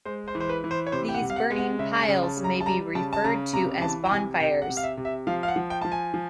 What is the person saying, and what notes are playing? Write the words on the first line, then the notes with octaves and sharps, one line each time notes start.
These burning piles may be referred to as bonfires.
G#3 C5
C5
E3
C5
B4
E3
C5
C#5
C3 C5
G5
F#5
C3
F5
F#5
G#3
F#5
C#3 E5
G#5
C#3
A5
G3
A#5
A5
G3 A#5
C#3 A5
A5
C#3 A#5
C3 A#5
E3 A5
G5
C3 G#5
C3 G5
F#5
C3
F5
E5
C3
E5
F3 F5
F5
F#5
F3
G5
F3 A5
G#5
F3